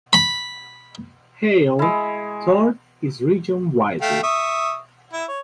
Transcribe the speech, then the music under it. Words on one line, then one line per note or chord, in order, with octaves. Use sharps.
Hale toured his region widely.
B5
G#3 E4
A3 F5 G5
E5 C#6 D#6
E4 E5
C#5